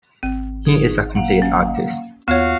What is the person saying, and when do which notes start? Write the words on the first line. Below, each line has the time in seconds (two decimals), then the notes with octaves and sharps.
He is a complete artist.
0.23 G#1 C4
0.65 D#4 G#4
1.15 A#3 F5 F#5
1.42 C#4
2.28 D#2 B3 F4 F#4 C#5 F5